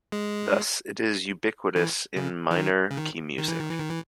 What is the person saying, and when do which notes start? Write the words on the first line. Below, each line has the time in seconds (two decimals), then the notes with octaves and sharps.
Thus, it is ubiquitous in minor-key music.
0.12 G#3
1.76 E3
2.16 C#3
2.51 E3
2.56 D#3
2.91 C#3
2.97 D#3
3.38 D#3
3.48 E3
3.59 D#3
3.69 E3
3.79 D#3
3.90 E3